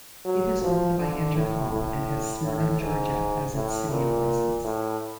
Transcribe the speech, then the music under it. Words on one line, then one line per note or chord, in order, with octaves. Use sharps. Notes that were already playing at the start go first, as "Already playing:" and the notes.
It is owned by Entercom, and has Smyrna, Georgia as its city of license.
F#3
F3
D3
A2
A2
A2
G#2
A2
A#2
A2